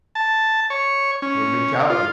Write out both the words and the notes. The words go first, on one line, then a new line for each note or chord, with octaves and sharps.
Your mentality.
A5
C#5
C#4
F4